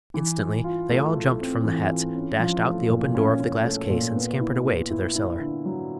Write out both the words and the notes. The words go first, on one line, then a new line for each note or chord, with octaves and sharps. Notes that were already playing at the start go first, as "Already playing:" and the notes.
Instantly they all jumped from the hats, dashed out the open door of the glass case and scampered away to their cellar.
E3
E3
F4
A3
A3
C4
E3
F4
C#4
F3
A3
A#2
C#4
C#4
A3
A#2
B3
E4
E4
E4
E4
D3
F#3